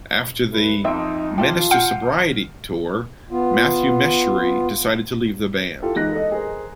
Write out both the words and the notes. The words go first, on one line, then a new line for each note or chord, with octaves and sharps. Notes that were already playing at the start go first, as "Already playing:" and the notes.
After the "Menace to Sobriety" tour, Matthew Meschery decided to leave the band.
G3 A3 B4
F2 D#4 F4 G4 E5 D7
F4 G4 A4 F5
F#5 F6 G6 C7
B3 F4
E4 F4 G4 A4
E3 G#3 D#4 F#6 A#6
A4 D#5
G#4 A#4 C5